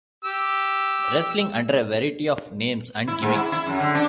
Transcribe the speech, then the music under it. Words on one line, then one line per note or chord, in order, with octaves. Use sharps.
Wrestling under a variety of names and gimmicks.
G4 E6
E4
G#2
E4
E4
F#2
D3
D4